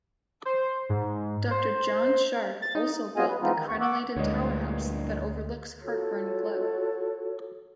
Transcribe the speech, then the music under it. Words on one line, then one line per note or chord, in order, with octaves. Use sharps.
Doctor John Sharpe also built the crenellated Tower House that overlooks Hartburn Glebe.
C5
G#2
C5
A6
D#4
B3 C4 F4 G#4 D#5 G#5
B4
E3 G#3 B3 C4 D#4 F4
D#3
D#2 C#6
F#5 C#6 D6 E6 F#6
D2 G2 A#2 E3 G#3 C#5
F4 F#4 A4 C#5